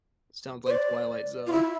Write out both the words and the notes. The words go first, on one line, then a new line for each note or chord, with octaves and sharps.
Sounds like Twilight Zone.
C5
D5
F4
E4